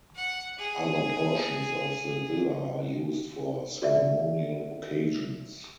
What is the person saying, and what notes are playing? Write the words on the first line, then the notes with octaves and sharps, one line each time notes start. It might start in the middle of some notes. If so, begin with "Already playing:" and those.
Other portions of the villa are used for ceremonial occasions.
F#5
G#4
F#4 D5 E5